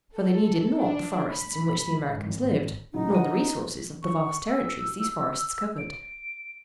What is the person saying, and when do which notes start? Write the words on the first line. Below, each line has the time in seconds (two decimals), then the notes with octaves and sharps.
For they needed not the forests in which the Americans lived, nor the resources of the vast territories these forests covered.
0.16 A4
0.80 D4
1.29 B5
2.11 G#1
2.93 A2 C#3 F#3 D#4
3.11 F#5 A#5 D#7
4.03 C#6
4.49 E6
5.78 D7